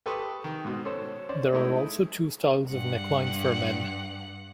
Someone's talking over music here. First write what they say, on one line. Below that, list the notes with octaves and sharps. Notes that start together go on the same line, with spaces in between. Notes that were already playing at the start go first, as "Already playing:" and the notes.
There are also two styles of necklines for men.
G4 A4 B4 C6 C#6 D#6
D#3
G#2 B2
C#4 A4 C5
C#4 C5 D5
G#3 A3 D#4 E4
G2 F#5